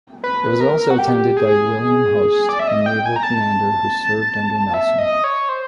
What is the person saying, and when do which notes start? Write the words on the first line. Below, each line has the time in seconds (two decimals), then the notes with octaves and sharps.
It was also attended by William Hoste, a naval commander who served under Nelson.
0.24 B4
0.60 A#4
0.90 F#4
0.98 G4
1.37 G#4
2.49 D5
2.59 E5
2.68 D#5
2.86 G5
3.05 G#5
3.16 A#5
3.23 A5
4.74 E5
4.98 D#5
5.24 C#5
5.49 C5